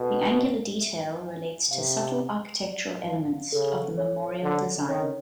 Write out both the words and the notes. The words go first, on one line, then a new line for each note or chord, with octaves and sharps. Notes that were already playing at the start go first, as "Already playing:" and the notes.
The angular detail relates to subtle architectural elements of the memorial design.
Already playing: B2 A4
C5
E5
G#5
C3 F5
A#5
D5
F5
C#3 A4
C#5
D3 A4
D#3 C#5